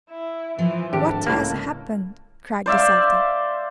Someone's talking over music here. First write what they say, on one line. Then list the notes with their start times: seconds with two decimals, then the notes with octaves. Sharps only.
What has happened?' cried the Sultan.
0.10 E4
0.59 E3 F3
0.93 G#1 D4 G4 A4
1.27 C#2 A2 A#3
2.66 C5 D5 E5 F5